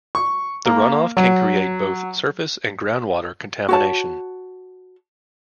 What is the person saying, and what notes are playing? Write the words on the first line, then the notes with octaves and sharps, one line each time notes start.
The runoff can create both surface and groundwater contamination.
C#6
A#3
F#3
F#4 C#5 A5